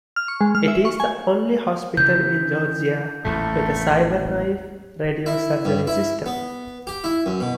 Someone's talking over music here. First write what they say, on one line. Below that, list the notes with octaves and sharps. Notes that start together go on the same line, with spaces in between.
It is the only hospital in Georgia with a Cyberknife radiosurgery system.
F6
C#6
G#3
F6
E5
C#6
G#5
C#3 E3 G6
A1 E2 A#2 A3
E4
G2
E4
B3
G4
E4
F#2
B2